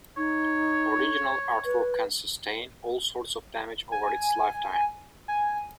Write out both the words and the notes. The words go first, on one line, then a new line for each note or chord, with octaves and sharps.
Original artwork can sustain all sorts of damage over its lifetime.
D#4 C#5
B4
G#5
G#5